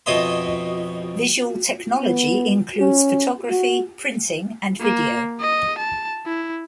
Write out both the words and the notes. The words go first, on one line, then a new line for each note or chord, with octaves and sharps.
Visual technology includes photography, printing, and video.
F2 B2 C#5 D#5 E5 C6
B3
C#4
F#4
A#3
D#5
A5
E4